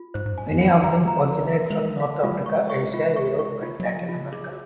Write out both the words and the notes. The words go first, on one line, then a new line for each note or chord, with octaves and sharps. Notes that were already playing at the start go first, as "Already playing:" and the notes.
Many of them originate from North Africa, Asia, Europe, and Latin America.
Already playing: F4
G#2 C5
G#2
F#2
G#5
F2
F4
F#2
D#3 A#5
F3 A#5
F#3 A#4
A#3 A#4
G#3
A#4
F#3
F5
A#3
G#3 F4
F#3
G#3
C#6
C#6
F4
C#6
C#6
A#3 F4
F#3
D#5
F3
F4
C#3
G#4